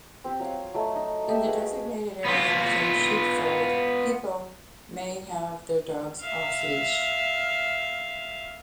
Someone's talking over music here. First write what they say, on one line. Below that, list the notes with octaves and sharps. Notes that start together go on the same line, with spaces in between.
In the designated area within Sheepfold, people may have their dogs off leash.
C4 G4
F#3 C#5 F5
F#3 A3 D#5
D#4
G4 A4 D#5 E5
F#4 G#4 B4 F5
B3 F4
E5 F5